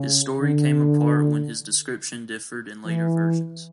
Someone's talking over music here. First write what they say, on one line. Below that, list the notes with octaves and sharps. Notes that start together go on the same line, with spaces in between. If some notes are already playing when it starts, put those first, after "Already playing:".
His story came apart when his description differed in later versions.
Already playing: C#3
D3
E3